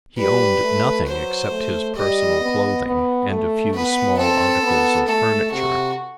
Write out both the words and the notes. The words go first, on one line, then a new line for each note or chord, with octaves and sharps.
He owned nothing except his personal clothing, and a few small articles of furniture.
G3 B4
A3
F#3 C5
A3
G3 D#5
B3
B3
A3
B3 B4
C4 A4
B3
A3 A4
C3 F#4